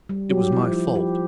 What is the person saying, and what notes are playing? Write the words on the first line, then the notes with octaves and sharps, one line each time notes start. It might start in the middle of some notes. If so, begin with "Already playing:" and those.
It was my fault.
G3
F#3 G4
E4
F3
E4
G4